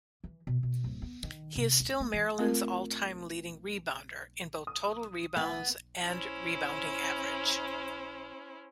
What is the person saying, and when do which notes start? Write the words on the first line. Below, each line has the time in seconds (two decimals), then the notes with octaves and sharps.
He is still Maryland's all-time leading rebounder, in both total rebounds and rebounding average.
0.24 E3
0.47 B2
0.63 B2
0.84 D1
1.02 B3
1.23 D#3
1.55 C3
1.80 D2
2.00 A3
2.14 E3
2.38 A3 C4 F4 A#4
4.67 D#6
5.37 E3 B3
6.05 C#4 E4 C5